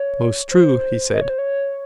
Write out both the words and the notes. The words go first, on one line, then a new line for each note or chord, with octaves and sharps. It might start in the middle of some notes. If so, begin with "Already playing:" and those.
Most true, he said.
Already playing: C#5
C5
D#5
C#5
C5
C#5